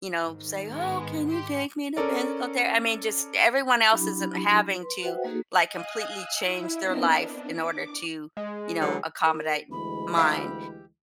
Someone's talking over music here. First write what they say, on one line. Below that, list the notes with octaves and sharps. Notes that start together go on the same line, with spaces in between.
you know, say, "Oh, can you take me to physical ther" I mean, just everyone else isn't having to, like, completely change their life in order to, you know, accommodate m mine.
G#2 D#3
G#3 B3
G4 C6
C#4 A4 A#4 D5
F#3 D4 E4 G4 B5
B4 C6
F#4 B4 C5 E5 F#5 G5
A#3 D#4 F#4 G#4 A4
D#5 F5 G#5 D#6 F#6
E6
E4
B3 C4 D4 A#4 D#5
D4
D6
G#3
D3 E3 F#3
A#4
D2 E3 G#3 B5
G4 E5 F5